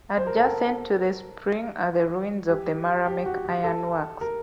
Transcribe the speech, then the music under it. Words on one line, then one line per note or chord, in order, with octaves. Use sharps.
Adjacent to the spring are the ruins of the Maramec Iron Works.
C5
A#4
A4
A#4
G4
G4
F#4
G4
A4
A#4